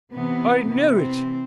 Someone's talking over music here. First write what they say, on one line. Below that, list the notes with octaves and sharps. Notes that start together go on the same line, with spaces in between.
'I knew it!
C3 E3 B3
C3 E3
C4